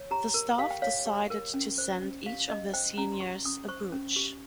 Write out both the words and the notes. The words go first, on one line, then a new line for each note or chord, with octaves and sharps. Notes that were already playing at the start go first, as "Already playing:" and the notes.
The staff decided to send each of their seniors a brooch.
Already playing: C#5
G4 A#5
A#4
G4 F5
G5
C#5 F5
G4
A#4
C#4
C5
C#4
G4 F5
C#4 D#5
C5 G5
C#4 A#5
C6
G4 C#6
C#4 D#6
C5 C#6
C#4
G4